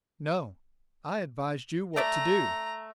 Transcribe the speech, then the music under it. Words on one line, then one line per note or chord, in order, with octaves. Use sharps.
"No, I advised you what to do!"
A3 D5 E5 A#5